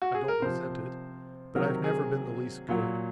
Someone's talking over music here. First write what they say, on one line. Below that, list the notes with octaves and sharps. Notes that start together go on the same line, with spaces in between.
I don't resent it--but I have never been the least good.
F#4
G#4
A#4
C3 F3 C5
C3 D#3 F#3 A#4
G#4
A#2 F#3